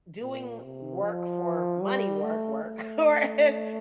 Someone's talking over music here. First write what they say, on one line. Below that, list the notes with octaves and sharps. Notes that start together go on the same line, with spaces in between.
doing work for money work work, or then
A#2
C3
F3
G3
A3
A3